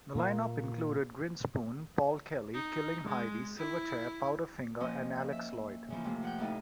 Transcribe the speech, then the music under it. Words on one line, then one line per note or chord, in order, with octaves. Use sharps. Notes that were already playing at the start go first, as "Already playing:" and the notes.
The line-up included Grinspoon, Paul Kelly, Killing Heidi, Silverchair, Powderfinger and Alex Lloyd.
A#2 A#3
D#4
G#3
E4
F3 A#3 C4 C#4 C5 D#5
E5
C#3 E3 F3 A#3 F4
C3 A3 A#3
F3 F#5 G5
F2 A2 A3 D#4